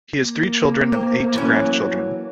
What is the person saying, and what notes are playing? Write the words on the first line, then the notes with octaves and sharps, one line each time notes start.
He has three children and eight grandchildren.
A#3
C4
E3 F#3 C#4